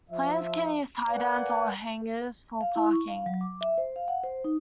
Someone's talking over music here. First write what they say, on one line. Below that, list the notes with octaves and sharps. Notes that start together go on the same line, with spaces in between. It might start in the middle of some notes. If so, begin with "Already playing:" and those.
Planes can use tiedowns or hangars for parking.
F3 E5
A#4 B4 D5 F5 F#5 G#5
F5
E4
C#6
F5
F#3
D6
E5
C5
F5
F#5
C5
D#4